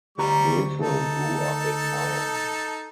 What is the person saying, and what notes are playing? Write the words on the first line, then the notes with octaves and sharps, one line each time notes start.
Bethel grew up in Miami.
D2 G3 G4 A#5 C#6
D#4 A4 A5